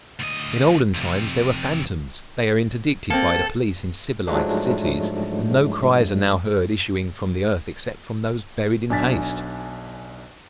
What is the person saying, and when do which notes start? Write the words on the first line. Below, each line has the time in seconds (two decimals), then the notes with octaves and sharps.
In olden times there were fantoms; they are interdicted by the police in civilized cities and no cries are now heard issuing from the earth except from those buried in haste.
0.20 D2 D#5
0.94 F2 C3
3.10 A#3 C4 A4
4.27 G#2 F3 F#3 G#3 A3 D4
8.90 B1 D4 G#5 A6 B6